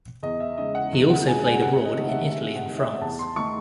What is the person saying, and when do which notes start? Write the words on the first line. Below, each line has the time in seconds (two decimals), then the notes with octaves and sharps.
He also played abroad in Italy and France.
0.23 E2 D#5
0.40 E5
0.58 C#3 G#3 D#5
0.75 F#5
0.93 E2
1.10 F#5
1.27 C#3 G#3 G#5
1.45 G#5
1.62 C3 F#5
1.85 D#5
1.97 D#3 A3
2.09 E5
2.32 C3 E5
2.55 F#5
2.66 D#3 A3
2.78 E5
3.01 E2 A5
3.19 C6
3.36 D#3 A3 D#4 C#6